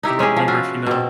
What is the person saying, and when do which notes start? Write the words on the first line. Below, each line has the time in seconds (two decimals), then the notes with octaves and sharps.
I don't remember if, you know
0.03 D#4 E4 G4
0.19 G#3 C#4 G4 G#4
0.36 F3
0.48 F4 F#4 E5
0.86 B2 C4